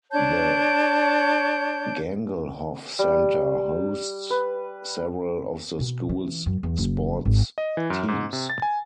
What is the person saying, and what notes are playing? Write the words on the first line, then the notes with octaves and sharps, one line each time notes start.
The Gangelhoff Center hosts several of the school's sports teams.
D4 C#5 A5 G6
G3
B4
B2
E3
F#2
E2
F#1
G#1
D#5
E3
F#2
G#2
C3
A6
G#5